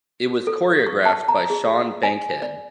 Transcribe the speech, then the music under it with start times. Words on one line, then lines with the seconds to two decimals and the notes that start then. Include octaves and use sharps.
It was choreographed by Sean Bankhead.
0.47 A4
0.87 C#6
1.05 A5
1.28 A#5
1.50 G#4
2.03 G#5
2.42 D5